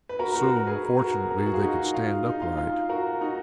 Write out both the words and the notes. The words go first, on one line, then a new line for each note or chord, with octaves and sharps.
Soon, fortunately, they could stand upright.
B4
F#4 A#4
F#4 A#4
A#4
G#4 B4
F#4 A#4
A#4
G#4
F#4
F4 G#4
D#4 F#4
F4
D#4
F4
F4
F#4 A#4
D#4 F#4